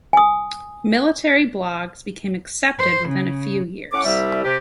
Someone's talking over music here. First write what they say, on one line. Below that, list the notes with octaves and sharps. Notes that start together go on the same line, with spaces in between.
Military blogs became accepted within a few years.
G#5 D#6
C5
C#3
A2 C#4 F#5 D6
C2 G3 E5
C3 G4